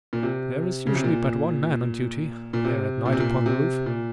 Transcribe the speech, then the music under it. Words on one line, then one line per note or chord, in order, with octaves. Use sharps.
"There is usually but one man on duty there at night upon the roof."
A#2
C3
C#3
C3
A#2
A#2
C3
A#2
C3
A#2
C3
A#2